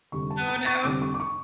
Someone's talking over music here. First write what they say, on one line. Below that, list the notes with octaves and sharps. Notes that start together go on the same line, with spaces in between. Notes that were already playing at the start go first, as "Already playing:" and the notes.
Oh no.
F1 F2 D3 G3 C#6
A5
A#5
C#6
F1 F2 D3 G3 D6
C#6
D6
C#6